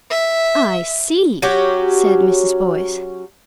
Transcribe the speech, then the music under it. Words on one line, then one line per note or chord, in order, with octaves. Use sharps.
"I see!" said Mrs. Boyce.
E5
F#3 C#4 F#4 G4